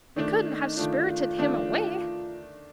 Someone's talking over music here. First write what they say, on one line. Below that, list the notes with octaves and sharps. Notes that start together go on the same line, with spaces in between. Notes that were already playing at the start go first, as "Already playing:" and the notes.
"They couldn't have spirited him away."
D#3 A3 D4 F4
D#4
D#3 A3 D4 F4
D#3 A3 D4